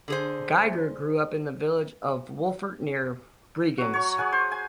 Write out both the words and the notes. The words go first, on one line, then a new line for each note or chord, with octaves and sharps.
Geiger grew up in the village of Wolfurt near Bregenz.
D3 G#4 C5
F#3 F#4
C#5 C#6
G#4 C#5 F#5 G#5
C5
G#5